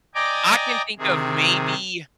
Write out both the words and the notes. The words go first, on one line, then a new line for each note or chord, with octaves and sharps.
I can think of maybe
D5 D#5 G5 G#5 A#5 D6
C3 D#3 G#4